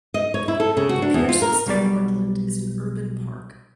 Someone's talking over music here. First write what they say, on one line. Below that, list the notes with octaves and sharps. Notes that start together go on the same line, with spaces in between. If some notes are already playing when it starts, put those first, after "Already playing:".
The Pearce Estate Wetland is an urban park.
D#5
C#5
E4
A4
C#3
F#4
D4
E2
F4
A#4
B1 B2 G3 D5